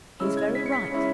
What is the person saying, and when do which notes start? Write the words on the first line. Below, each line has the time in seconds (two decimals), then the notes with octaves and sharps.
He's very right.
0.20 C#3 G#3 C#4 E4 E6
0.37 G#6
0.55 B6
0.66 C#7
0.72 B6
0.90 C#3 G#3 C#4 E4